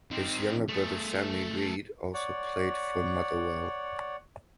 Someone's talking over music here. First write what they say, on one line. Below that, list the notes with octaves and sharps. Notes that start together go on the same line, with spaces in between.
His younger brother Sammy Reid also played for Motherwell.
D#3 C4
A3 G#4
C#5 D5 F#5